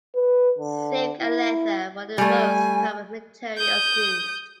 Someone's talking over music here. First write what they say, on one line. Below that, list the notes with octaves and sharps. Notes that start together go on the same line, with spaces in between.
Silk and leather were the most common materials used.
B4
D3
E4
G3 A3 G#5
D#6 G6